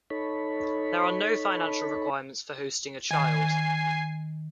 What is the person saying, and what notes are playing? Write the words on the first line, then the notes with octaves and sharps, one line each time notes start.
There are no financial requirements for hosting a child.
D#4 A4 C#5 B5
D#3 G#5 C7